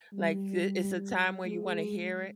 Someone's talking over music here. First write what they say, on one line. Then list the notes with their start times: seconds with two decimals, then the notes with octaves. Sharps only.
like, th it's a time where you wanna hear it
0.13 G3
1.46 G#3